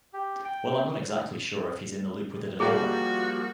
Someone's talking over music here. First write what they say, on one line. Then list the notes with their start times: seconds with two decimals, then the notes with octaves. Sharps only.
Well I’m not exactly sure if he’s in the loop with it all.
0.13 G4
0.45 G5
2.60 F3 G3 A#3 F#4 G#4